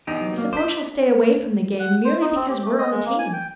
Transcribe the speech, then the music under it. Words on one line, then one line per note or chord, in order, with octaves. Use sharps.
I suppose she will stay away from the game merely because we are on the team.
E2 D#4 G4
B2 F#3
A#3
C5 D6 B6
F#5
C5
D#4
C4
G4
A3
D#5
G#3
A#3
G#5
G5